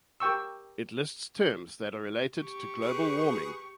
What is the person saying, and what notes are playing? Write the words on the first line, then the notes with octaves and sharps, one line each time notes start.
It lists terms that are related to global warming.
G4 A#4 G5 C#6 E6
G4 C#6
G#4 B4